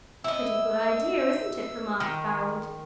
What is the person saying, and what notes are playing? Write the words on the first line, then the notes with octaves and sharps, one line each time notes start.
"Pretty good idea, isn't it?" remarked Barold.
E4 D#5 E6
D#3